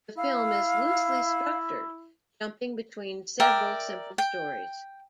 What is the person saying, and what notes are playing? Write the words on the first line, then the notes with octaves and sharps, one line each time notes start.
The film is loosely structured, jumping between several simple stories.
E4 F5
A#4 D5 E5 G5
G5